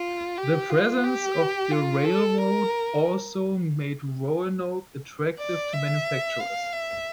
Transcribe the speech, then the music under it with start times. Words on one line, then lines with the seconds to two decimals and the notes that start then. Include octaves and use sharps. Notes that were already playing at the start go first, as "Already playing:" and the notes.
The presence of the railroad also made Roanoke attractive to manufacturers.
Already playing: F4
0.37 G4
0.70 F4
1.04 G4
1.71 F4
2.05 A4
2.38 A#4
5.39 D5
5.73 E5
6.40 F5
6.73 E5